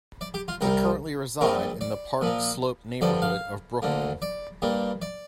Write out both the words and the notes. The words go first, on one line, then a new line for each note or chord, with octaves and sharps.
They currently reside in the Park Slope neighborhood of Brooklyn.
D5
G4
F4
C2 C3 G3 A#4
A#1 A#2 G3 C4 A#4
D5
A#2 F3 A#3
G2 D3 F3 D5
F5
D2 D3 A#3
D5
G2 G3 A#3
D5